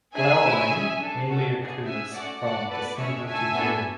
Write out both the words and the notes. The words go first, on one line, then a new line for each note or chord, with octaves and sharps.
Flowering mainly occurs from December to June.
D4 G#4 E5 G#5
A3 E4 G#4
C#4 G#4
D4 A4
C#4 F#4 A4
B3 D4 G#4
C#4 G#4 E5 G#5
A3 C#4 F#4 D5 F#5
D4 F#4 A4 D5 F#5
B3 F#4 A4 B4 D5
A3 C#4 G#4 C#5 E5
A3 D4 A4 E5 G#5
B3 D4 F#4 A4